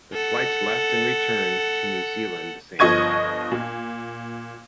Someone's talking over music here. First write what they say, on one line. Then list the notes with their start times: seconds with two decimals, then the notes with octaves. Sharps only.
The flights left and returned to New Zealand the same day.
0.13 A4 F#5
2.79 G1 F3 D#5 C#6 G#6 D#7
3.52 A#2